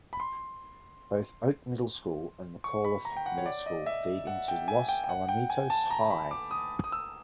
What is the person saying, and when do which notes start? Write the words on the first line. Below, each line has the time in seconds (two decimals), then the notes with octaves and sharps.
Both Oak Middle School and McAuliffe Middle School feed into Los Alamitos High.
0.13 B5
0.20 C6
2.64 C#6
2.84 B5
3.05 A#5
3.17 G5
3.26 F#5
3.38 C#5
3.46 D5
3.66 D#5
3.86 E5
4.27 F#5
4.48 G5
4.68 G#5
4.89 G5
5.04 G5
5.09 F#5
5.29 G5
5.50 G#5
5.70 A5
5.90 A#5
6.10 B5
6.31 D6
6.51 D#6
6.84 D#6
6.92 E6